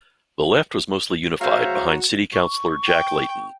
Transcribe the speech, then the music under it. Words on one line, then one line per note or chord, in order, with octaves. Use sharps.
The left was mostly unified behind city councillor Jack Layton.
F#4 G#4 C5 C#5 E5 F5 A#5
C#6
G5